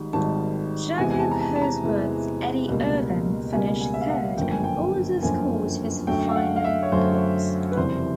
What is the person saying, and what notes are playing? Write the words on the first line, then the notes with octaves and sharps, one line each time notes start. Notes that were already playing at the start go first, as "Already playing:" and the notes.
Jaguar-Cosworth's Eddie Irvine finished third and also scored his final points.
Already playing: G#1 G#2 D#3 G3
G#1 G#2 D#3 G3 A5
E2 C3 E3 G#3 G#5
G#5
A5
A#5
A5
A5
A#5
E2 C3 E3 G#3
C#2 B2 G3 A#3
C#2 B2 G3 A#3 G#5
G#5
E5
F5
F#5
G1 F#2 D3 F3 A#3 G5
G#5
G5
G1 F#2 D3 F3 A#3 G#5
F#2 D3 F#3 A3 G5
F5
F#5
F5
E5
C#5
F#2 D3 F#3 A3 C5
B4
F#1 F2 C3 E3 G3 C5